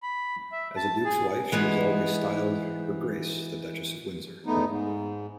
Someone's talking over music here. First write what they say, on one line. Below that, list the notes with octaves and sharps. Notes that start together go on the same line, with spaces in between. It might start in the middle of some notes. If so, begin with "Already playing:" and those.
As a duke's wife, she was always styled "Her Grace The Duchess of Windsor".
B5
E5
A5
G#4
E3 G#3 B3
E2 A3 B3 D#4
G#2